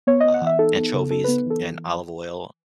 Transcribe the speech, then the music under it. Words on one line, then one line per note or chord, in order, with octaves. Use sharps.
uh, anchovies and olive oil
B3 C#5
B3 D#5
F#5
E3 E5
D#4 A4
B3
C#3
D#4 A4
B3 B4
E3 A4